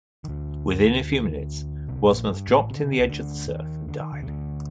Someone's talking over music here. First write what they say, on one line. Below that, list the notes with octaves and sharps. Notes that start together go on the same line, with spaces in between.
Within a few minutes, Wasmuth dropped in the edge of the surf and died.
D#3
D2 D3
C2 C3
A#1 A#2
G2
A1 A2
C3
D3
C3
D3
C2 C3
D2 D3
D#2 D#3
D3
D#3
D2 D3
C3
D2 D3